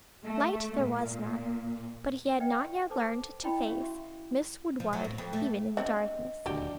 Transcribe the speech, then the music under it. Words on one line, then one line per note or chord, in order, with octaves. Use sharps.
Light there was none, but he had not yet learnt to face Mrs. Woodward even in the darkness.
A3
A#2
B4 D5 E5 F#5 G5
C6 C#6
A4 B4 C5 A5 D6
E4 D#5 G5 B5 C6
C#4 E5 F5 C#6
F#4 E5 C#6
F3
F#3
A2
F2
A3
C4 D4 D#5 F#5
D#1 D2 G3 D4 F#4 G4